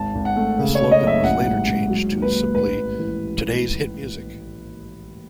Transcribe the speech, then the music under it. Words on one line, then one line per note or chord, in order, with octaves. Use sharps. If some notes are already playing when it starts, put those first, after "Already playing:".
The slogan was later changed to simply "Today's Hit Music".
Already playing: G#1 A5
G#1
F#5
A3
C#3
C#5
C#3
D#5
F#1 E5
A1 F#5
G#2
G#2
F#3
D#2
B4
D#2
A1 B4
G#2
E3